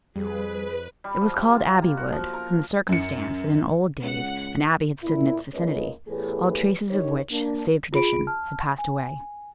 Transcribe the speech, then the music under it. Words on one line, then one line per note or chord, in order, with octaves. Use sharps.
It was called Abbey Wood, from the circumstance that in old days an abbey had stood in its vicinity, all traces of which, save tradition, had passed away.
F2 G3 G#4 B4
G3
F3
G4
F4
A#3
F#4
F3
A#4
F#2 C#7
C#2 F#5
A#2 E4
G#2 A#3 C#4 F4 B4 D#5
E2 A2 A3 G4 G#4 B4
D#2 D#3 D#4 G4 C#5
A#3 D4
F4 G#4 B5 D7
A5 F6
G#5